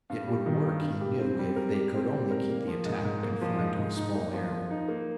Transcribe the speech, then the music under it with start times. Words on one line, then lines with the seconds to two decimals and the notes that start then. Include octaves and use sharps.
It would work, he knew, if they could only keep the attack confined to a small area.
0.10 G2
0.28 G3
0.46 D#3
0.65 G2
0.83 G2
1.01 G4
1.19 C4
1.39 G3
1.56 A#4
1.75 G4
1.94 C4
2.13 G3
2.31 A#4
2.49 A#3
2.67 F3
2.85 G#2
3.05 G#2
3.23 A#3
3.42 F3
3.59 G#2
3.79 G#2
3.97 D#4
4.15 A#3
4.33 F3
4.52 F3
4.71 D#4
4.88 A#3